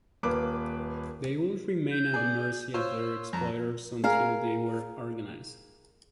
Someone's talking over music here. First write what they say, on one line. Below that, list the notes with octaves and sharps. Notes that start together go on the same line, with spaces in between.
They would remain at the mercy of their exploiters until they were organized.
D#1 A#3 B4 D6
G6
G#4 D5
F4 C5 C#5 E6
F2 A#5
G#4 A#4 F5